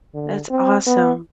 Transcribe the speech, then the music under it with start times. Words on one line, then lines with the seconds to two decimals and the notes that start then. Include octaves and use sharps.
That's awesome.
0.14 D3
0.50 C4
0.86 B3